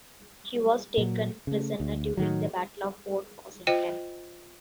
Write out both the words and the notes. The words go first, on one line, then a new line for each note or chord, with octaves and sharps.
He was taken prisoner during the Battle of Fort Washington.
A#2 F#3
C#3 A3
D2
A2 D#3 F#3
F4 C5 D#5 G5